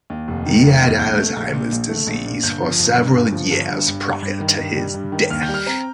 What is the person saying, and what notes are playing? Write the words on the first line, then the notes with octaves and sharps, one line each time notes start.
He had Alzheimer's disease for several years prior to his death.
D#2
F1
D#3
F1
D#2
A#1 G6
A3
A#1
A#2
A#1
A3
A#1
A#2
G1 G6
F3
G1
G2
G1
F3
G1
G2
G2
G3
G2
D#3
G2
G3
G2
D#3
D#2 F6
G6
G3
F6
C4 A#5